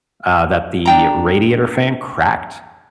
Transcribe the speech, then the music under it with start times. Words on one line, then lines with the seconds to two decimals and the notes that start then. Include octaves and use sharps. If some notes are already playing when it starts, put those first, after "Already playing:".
uh, that the radiator fan cracked,
0.85 D4 G5 A#5